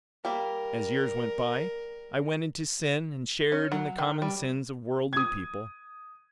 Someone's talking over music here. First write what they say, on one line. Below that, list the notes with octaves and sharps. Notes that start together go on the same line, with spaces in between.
As years went by, I went into sin and shared in the common sins of worldly people.
G3 A#3 A#4 E5
C#4
F#3
D#3
G3
D#6 G#6